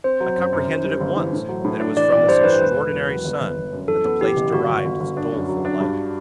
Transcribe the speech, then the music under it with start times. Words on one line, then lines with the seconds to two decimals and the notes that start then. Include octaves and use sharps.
I comprehended, at once, that it was from this extraordinary sun that the place derived its doleful light.
0.04 C4 C5
0.20 F#3
0.36 F#2
0.53 F#2
0.68 F#2
0.84 G3
1.00 G1
1.17 E3
1.33 A2
1.49 F#3
1.65 A2
1.80 D4
1.97 E3 D5
2.12 A1 D5
2.28 G2 C5
2.44 E3 B4
2.61 E1
2.76 E1
2.92 E1
3.09 F#3
3.25 G1
3.41 G1
3.56 G1
3.73 F#2
3.88 E3 A4
4.05 B3
4.21 E3 G4
4.37 F#1
4.52 G1 F#4
4.69 G1
4.85 G1
5.00 G1
5.17 D4
5.33 F#2
5.48 F#3
5.65 D4
5.80 G2